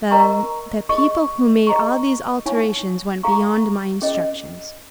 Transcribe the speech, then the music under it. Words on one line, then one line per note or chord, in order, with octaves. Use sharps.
The--the people who made all these alterations went beyond my instructions.
A#4 D#5 A#5 C#6
G#4 D#5 C#6
G#4 D#5 A#5 C#6
D#4 C#5 F5 G#5 C#6
G#4 F5 A#5 C#6
C#4 G#4 D#5